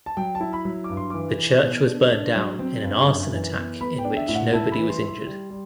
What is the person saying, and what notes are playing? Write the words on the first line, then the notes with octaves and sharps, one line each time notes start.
The church was burned down in an arson attack in which nobody was injured.
A5
F#3 G5
A5
E4
B5
F#3
D6
G2
C6
E3 D6
E3
B2
D4
D4
F#3
C4
G2
F#2
E3
B3
B3 B5
G5
D4
E5
A2 E5
F#5
E4 A5
B5
E3
C6
E4
C6
G3
G3